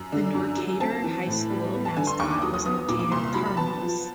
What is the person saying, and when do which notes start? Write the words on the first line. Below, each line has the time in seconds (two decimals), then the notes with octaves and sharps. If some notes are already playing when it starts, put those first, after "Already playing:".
The Norcatur High School mascot was Norcatur Cardinals.
Already playing: F#2
0.12 D3
0.34 F#2
0.57 F#3
0.80 C4 A5
1.04 E3
1.27 A2
1.50 G3
1.74 B3
1.85 A5
1.96 D3 G#5
2.07 C6
2.19 D#2 C#6
2.31 D6
2.42 F#3 D#6
2.54 D#6
2.66 B3 D#6
2.88 A#2 D6
2.99 D6
3.12 C2 C6
3.23 C6
3.34 F#3 B5
3.46 B5
3.57 B3 A5
3.81 F3